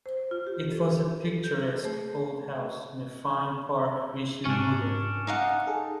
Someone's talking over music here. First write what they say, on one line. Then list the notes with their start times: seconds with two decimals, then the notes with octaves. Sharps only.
It was a picturesque old house in a fine park richly wooded.
0.06 C5
0.31 F4
0.47 G4
0.72 A4
1.25 A4
1.44 G6
1.62 G#4
1.85 A3
2.13 A3
4.45 G#2 C#3 C#4 D4 C#6
5.27 D#4 F5 F#5
5.67 G#4 A4